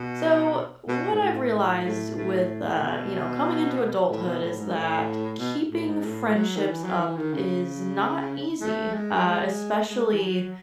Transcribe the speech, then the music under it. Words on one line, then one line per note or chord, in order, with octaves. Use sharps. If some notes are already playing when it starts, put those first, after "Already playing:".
So, what I've realized with, uh, you know, coming into adulthood is that keeping friendships up is not easy- uh, especially
Already playing: B2
B2
G#2
A2
A2
A2
A2
A2
B2
A2
B2
A2
G#2
A2
B2
A2
G#2
A2
F#3
D#3
E3
F#3
E3
D#3
C#3
A3
G#3
F#3
G#3
G#3
E3
F#3